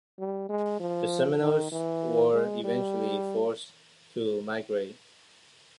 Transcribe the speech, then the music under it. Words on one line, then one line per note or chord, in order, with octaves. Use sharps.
The Seminoles were eventually forced to migrate.
G3
G#3
F3
D#3
E3
G#3
G3